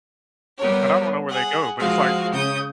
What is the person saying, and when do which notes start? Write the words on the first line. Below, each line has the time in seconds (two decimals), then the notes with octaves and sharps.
and I don't know where they go, but it's like
0.58 G3 B3 A#4 C#5
1.28 G#4 F#5
1.77 F3 G#3 F#4 F5
2.33 C#3 D#6 G6